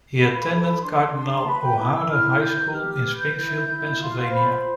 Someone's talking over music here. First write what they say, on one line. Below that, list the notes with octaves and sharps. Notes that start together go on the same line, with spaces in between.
He attended Cardinal O'Hara High School in Springfield, Pennsylvania.
F4 B5
B5
A4
B5
D4 C6
D4 C6
A5
B4 B5
G5
E4 D6
E6
E4 F6
B4 G6
G4 F6
F6
B4
G6
E4
E4
F4 C6
C5 B5